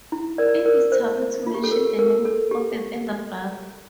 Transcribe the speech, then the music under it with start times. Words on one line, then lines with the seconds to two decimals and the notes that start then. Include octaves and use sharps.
It is taboo to mention the name of an elder brother.
0.12 E4
0.38 A#4 D5
0.65 A#4 D5
0.92 C5
1.46 F4
1.54 G4
1.64 A4
1.71 A#4
1.99 A#4
2.25 A4
2.51 G4